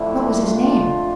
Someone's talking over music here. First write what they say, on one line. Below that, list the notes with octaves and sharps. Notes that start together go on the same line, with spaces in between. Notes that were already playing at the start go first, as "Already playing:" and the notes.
"What was his name?"
Already playing: F2 D3 A3 D4 E4
F4